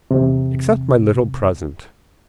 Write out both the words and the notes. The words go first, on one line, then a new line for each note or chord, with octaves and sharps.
Accept my little present.
E2 C3